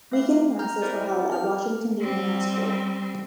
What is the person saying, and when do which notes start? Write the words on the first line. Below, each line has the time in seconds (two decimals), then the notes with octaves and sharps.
Weekend masses were held at Washington Junior High School.
0.12 A3 F5
0.59 A#5 F6 G6
0.82 C4 E4 A#4 C5 D5
1.10 G4
1.32 F6
2.01 G3 C4